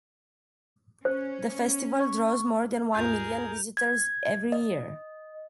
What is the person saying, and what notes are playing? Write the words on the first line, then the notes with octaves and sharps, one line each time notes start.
The festival draws more than one million visitors every year.
C#4 C5
C#6
D#2 G#2 F4 G#4 A#4 G6 F7
G#6
D#5